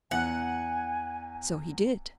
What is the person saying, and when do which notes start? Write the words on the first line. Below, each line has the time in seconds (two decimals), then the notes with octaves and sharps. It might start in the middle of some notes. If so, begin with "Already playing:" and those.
"So he did."
0.11 E2 F#5 G#5